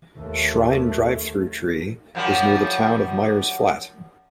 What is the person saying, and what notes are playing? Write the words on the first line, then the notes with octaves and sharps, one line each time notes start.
Shrine Drive-Thru Tree is near the town of Myers Flat.
D#2 A3
F#2 F3 G3